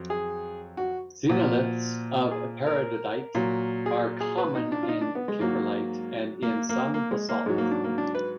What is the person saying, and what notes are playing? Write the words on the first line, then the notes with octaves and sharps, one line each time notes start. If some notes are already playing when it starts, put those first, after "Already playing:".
Xenoliths of peridotite are common in kimberlite and in some basalt.
Already playing: F2 F#3
G#4
F#4
A#2 F3 F#4
G#4
A#4
A#2 F#3
G#4
G#4
B4
D#4
D4
F4
D#4
D4
B3
G#3
G#2 F#3 A#3
A#3
A#3
A#3
G#3
A#3
G#2 F#3 G#3
A#3
D4
A#3
D4
B4